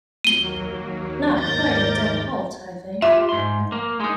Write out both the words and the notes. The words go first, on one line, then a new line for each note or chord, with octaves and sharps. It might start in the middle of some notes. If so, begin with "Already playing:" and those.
Not quite a dead halt, I think.
D#2 F#3 A#3 D#7 G7
D#2 G#2 A#4 D6 G6 A6 A#6
F4 G4 E5
G#2 C6
A#3
G#3 D#4